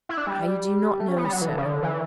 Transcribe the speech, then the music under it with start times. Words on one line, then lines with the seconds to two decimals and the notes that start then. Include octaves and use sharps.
"I do not know, sir!"
0.09 E4
0.17 D4
0.27 G3
1.00 A3
1.08 C#4
1.16 B3
1.25 G3
1.33 F#3
1.42 E3
1.49 D3
1.57 C#3
1.66 D3
1.83 E3